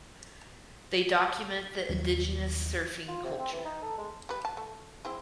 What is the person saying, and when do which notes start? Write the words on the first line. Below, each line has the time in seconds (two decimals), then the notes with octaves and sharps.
They document the indigenous surfing culture.
1.89 D#2 F#3 G3
3.08 F4
3.24 C3
3.39 C4
3.52 E3
3.65 D#4
3.82 A4
3.98 G#3
4.29 G3 B4
4.45 A5
4.57 A3
5.05 C4 E4 G#4